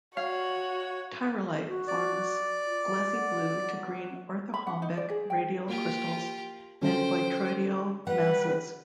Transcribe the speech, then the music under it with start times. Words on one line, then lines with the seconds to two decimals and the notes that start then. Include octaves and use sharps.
Tyrolite forms glassy blue to green orthorhombic radial crystals and botryoidal masses.
0.17 F#4 C#5 F5
1.66 F#4
1.88 D5
2.65 F4
3.13 F#5
3.55 F#3
4.54 B5
4.67 F#5
4.82 D#4
4.97 D5
5.10 G#4
5.30 G5
5.68 A#3 F4 G4
6.82 D3 F#3 C#4 C5 G5
8.07 G3 B4 F#5